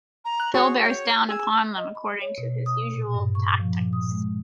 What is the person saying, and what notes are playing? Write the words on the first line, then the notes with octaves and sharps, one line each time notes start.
Phil bears down upon them according to his usual tactics.
A#5
F#6
F#4 G#4 C#5 C#6
C#5 G5
G#4 G#5 E6
D#5
B5
C#5
B2
D#6
A#2
G2
C#6
F3
A#2
D#6
G#3